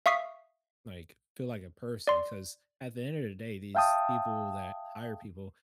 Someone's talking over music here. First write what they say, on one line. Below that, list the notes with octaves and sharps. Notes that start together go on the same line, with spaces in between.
like, feel like a person, 'cause at the end of the day, these people that hire people,
E5 F5 C#6 D#6 B6 C7
D5 C6
E5 F5 G5 A5 D#6